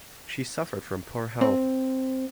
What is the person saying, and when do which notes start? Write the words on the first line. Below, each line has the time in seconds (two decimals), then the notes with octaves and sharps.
She suffered from poor health.
1.41 C4